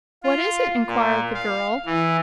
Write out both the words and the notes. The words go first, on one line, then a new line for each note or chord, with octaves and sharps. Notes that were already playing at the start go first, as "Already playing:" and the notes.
"What is it?" enquired the girl.
F4
A#2
F5
E3